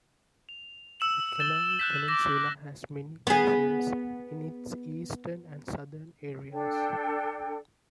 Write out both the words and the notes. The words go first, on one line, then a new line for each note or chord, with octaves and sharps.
The Kenai Peninsula has many glaciers in its eastern and southern areas.
F7
E6 E7 F#7
G6 A6 E7 G7
F#6 G6 B6
D6 A6 A#6 E7
B3 G#4
D4 A4 G5